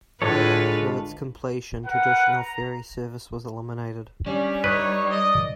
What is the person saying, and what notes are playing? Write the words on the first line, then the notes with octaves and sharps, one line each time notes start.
With its completion, traditional ferry service was eliminated.
A2 D3 G#3 F4 A4 B4 C#5
A#4 B4 F#5
A#5
G3 C#4 D4
D#4 B4 C#5
D5 D#5